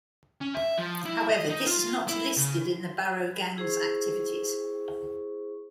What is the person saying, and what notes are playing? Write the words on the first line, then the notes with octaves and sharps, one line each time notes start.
However, this is not listed in the Barrow Gang's activities.
C#4
E5
F3
E4
D#5
D#4
F4
E4
C#3
E4 G#4 C5 C#6